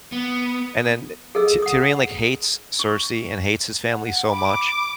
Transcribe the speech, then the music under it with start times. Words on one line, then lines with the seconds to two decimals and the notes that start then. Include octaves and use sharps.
and then, eh, T Tyrion, like, hates Cersei and hates his family so much,
0.12 B3
1.35 G#4 A4 D#5 E6
1.62 F#5 D#6
2.79 C#6
3.91 F#5
4.28 B5 D6